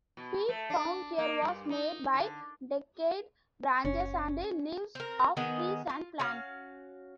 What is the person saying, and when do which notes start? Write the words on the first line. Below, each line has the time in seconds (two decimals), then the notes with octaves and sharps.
Peat found here was made by decayed branches and leaves of trees and plants.
0.17 B2
0.49 A3
0.70 D4
1.18 A#3
1.42 G2
1.70 D#4
2.14 D3
3.85 F#1 C#4
4.95 C4 A#4
5.37 D#3 B3 G#4 D#5
5.89 F4
6.19 C#4 F#4 F5